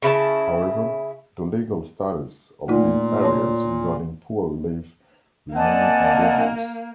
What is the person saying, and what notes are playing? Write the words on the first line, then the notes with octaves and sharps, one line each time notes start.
However, the legal status of these areas regarding poor relief remained ambiguous.
C#3 E4 A4 A5
A#2 A3 D#4 F4
C#5 A5 C6
A#3 C4 D5 D#5 F#5 G#5 A5